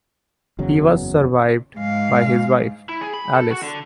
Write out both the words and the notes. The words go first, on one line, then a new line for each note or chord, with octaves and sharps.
He was survived by his wife, Alice.
F#1 E2 C#3 F#3
G#2 G#3 F5
E4
G#4
B5
A4
F#4
D3